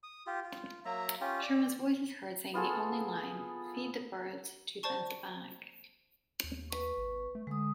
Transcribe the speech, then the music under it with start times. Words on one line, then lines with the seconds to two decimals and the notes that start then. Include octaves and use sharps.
Sherman's voice is heard saying the only line: Feed the Birds, Tuppence a bag.
0.03 D#6
0.27 F4 G4
0.44 F4
0.85 F#3 A#3 E5 A#5
1.21 C#4 F4 G4
1.42 D5
2.54 B3 F4 G#4 A4
4.83 C5 D5 A5 C#6
6.44 D#2
6.70 B4 C#6
6.97 G#1
7.35 A3
7.47 D3 G#3 D#6